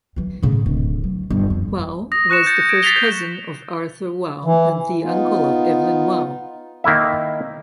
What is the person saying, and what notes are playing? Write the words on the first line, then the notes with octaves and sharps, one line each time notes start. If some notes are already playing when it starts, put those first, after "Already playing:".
Waugh was the first cousin of Arthur Waugh and the uncle of Evelyn Waugh.
E3 F#3
A2 C#3
D1
F#3
G1
F2
D#6 A#6
C#6 F#6 C#7 E7
G6 A6 C#7 E7
G#6 C#7 D7 E7
A6 B6 C7 F7 G7
G6 B6 C#7
E3
B3 D#4 F4
D#3 A#3 E4 E5